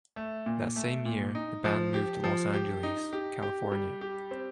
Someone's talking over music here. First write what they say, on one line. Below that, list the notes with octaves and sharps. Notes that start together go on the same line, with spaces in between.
That same year, the band moved to Los Angeles, California.
A3
A#2
A3
A#2
D#4
F3
G4
F3
G4
D#4
G4
G4
G3
G4
C4